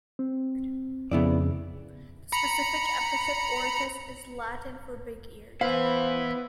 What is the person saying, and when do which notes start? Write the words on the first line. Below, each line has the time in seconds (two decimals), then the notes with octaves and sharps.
The specific epithet, "auritus," is Latin for big-eared.
0.19 C4
1.11 F2 C#3 B3 E4 D5
2.32 A#5 B5 C#7
5.61 E3 B3 E4 C5 F5